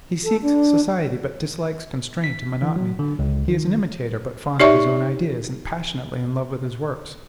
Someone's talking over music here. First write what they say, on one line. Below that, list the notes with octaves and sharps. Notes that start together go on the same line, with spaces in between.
He seeks society, but dislikes constraint and monotony; he is an imitator, but fond of his own ideas, and passionately in love with his works.
A4
D4
B6
E3
F#3
D3
C#2
D#3
D#4 G4 C#5 D5 E5 C#6